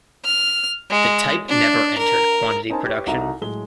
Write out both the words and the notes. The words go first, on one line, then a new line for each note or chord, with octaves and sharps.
The type never entered quantity production.
F6
G#3
D4
A#4
C#4 D#4 A#4 C5 G#5 A5
G4 B4 C#5
C2 D#4 F#4 A4 E5 A#5
A2 F#3 G#3 G7